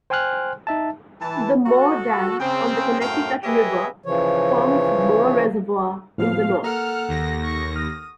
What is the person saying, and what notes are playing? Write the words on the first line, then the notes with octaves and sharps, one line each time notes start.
The Moore Dam on the Connecticut River forms Moore Reservoir in the north.
C5 G5 G#5 C6 F6 F#6
D#4 E5 A5
E3 A5
F#4 A4
C#3 C4 G5
F#2 A2 A3 C4 F5 G5
G4 G#4 B4 C#5 D#5 E5
C#3 E3 F3 C#5
A2 F3 B3 F5
A#3 A4 F#5 A#5 F6
D#2 A#6
C#6
D#6 F6